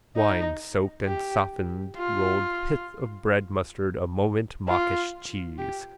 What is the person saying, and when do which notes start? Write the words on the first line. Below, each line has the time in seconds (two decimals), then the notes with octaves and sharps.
Wine soaked and softened rolled pith of bread mustard a moment mawkish cheese.
0.17 D#4
1.06 G4
1.97 F4
4.68 F4
5.58 G4